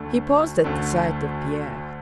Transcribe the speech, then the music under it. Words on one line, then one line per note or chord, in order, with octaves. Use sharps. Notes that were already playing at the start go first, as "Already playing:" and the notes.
He paused at the sight of Pierre.
Already playing: D2 D3 A3
D2 D3 A3